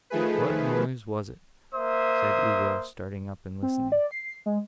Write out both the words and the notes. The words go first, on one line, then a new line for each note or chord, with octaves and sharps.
'What noise was it?' said Ugo, starting up and listening.
D#3 F3 A3 G#4 B4
A#3 C5 E5 D#6
C4
D5
C7
G#3